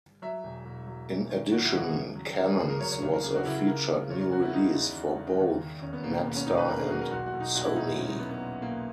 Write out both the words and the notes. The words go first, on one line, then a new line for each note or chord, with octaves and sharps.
In addition, Cannons was a featured new release for both Napster and Sony.
F#3 E5
E1
E1
F#3
E1
D#3
D#3 F#4
E4
D#2 F#4
G#4
C#3
F#3
C#3 A#4
G#4
C#2 G#4
A#4
F#3 C#5
C#5
C#2 C#5
A#4
C#3 G#4
F#4
C#2 E4
F#4
C#3 A#4
C#3
E2 C#5
A#4
E2 F#4
E4
C#3 D#4
E2
E2
E2
D#2
D#2
D#2 C#4
B3
E1 A#3
A#3
E1 B3
C#4
E1 D#4
B4
E1 A#4
G#4
F#3 F#4
A#4
B1 F#4
F#4
B1
D#4
A#2 F#4
E4
B1 D#4
F#3 C#4
D#4
F#3 B3
B3
A#2
B1 A#3